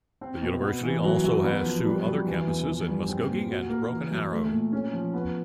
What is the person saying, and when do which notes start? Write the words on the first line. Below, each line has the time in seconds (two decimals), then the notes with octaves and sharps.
The university also has two other campuses in Muskogee and Broken Arrow.
0.21 C4
0.42 B2
0.62 B3
0.83 E3
1.04 F#3
1.24 F#2
1.44 B3
1.65 F3
1.85 G3
2.06 F#2
2.26 E3
2.47 E2
2.67 F3
2.88 G2
3.08 C4
3.29 A#2
3.49 F#4
3.70 A#3
3.90 E3
4.11 F#2
4.32 A3
4.52 A#2
4.73 C#4
4.93 F3
5.14 B3